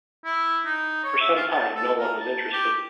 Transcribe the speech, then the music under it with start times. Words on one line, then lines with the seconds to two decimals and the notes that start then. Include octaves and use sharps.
For some time, no one was interested.
0.24 E4
0.65 D#4
1.04 C#5
1.20 E5
1.35 F4
1.50 A5
1.75 A4
1.98 A#4
2.20 A5
2.52 G4